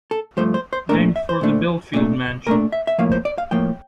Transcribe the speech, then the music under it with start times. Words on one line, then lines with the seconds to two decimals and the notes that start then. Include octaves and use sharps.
Named for the Belfield Mansion.
0.11 A4
0.37 G2 F3 A3 C5
0.54 C5
0.73 C5
0.89 A#2 A3 D4 A#4
1.16 E5
1.29 C5
1.41 A#2 A3 D4
1.93 A#2 A3 D4
2.46 A#2 A3 D4 A#4
2.72 E5
2.87 E5
2.98 A2 F3 A#3 F5
3.12 C5
3.25 D5
3.38 F5
3.51 A2 F3 A#3 G5